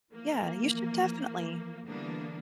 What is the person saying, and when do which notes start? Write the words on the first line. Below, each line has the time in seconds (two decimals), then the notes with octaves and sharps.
yeah, you should definitely.
0.13 E3 F3 A#3
1.85 D3 E3 G3 A#3 B3 D4